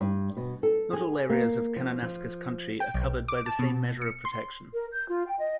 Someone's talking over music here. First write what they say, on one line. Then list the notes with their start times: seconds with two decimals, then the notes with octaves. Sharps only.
Not all areas of Kananaskis Country are covered by the same measure of protection.
0.01 G2
0.37 B2
0.63 A4
0.93 G#4
1.30 A#3
1.76 F3
2.02 F3
2.80 G5
2.94 B1
3.28 D6
3.46 A5
3.59 B2
4.02 C#7
4.25 C6
4.72 A#4
4.92 G6
5.09 F4
5.27 G5
5.38 D#5